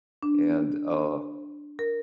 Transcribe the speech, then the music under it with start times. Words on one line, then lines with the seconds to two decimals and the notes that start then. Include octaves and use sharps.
and, uh,
0.23 D4
1.79 A#4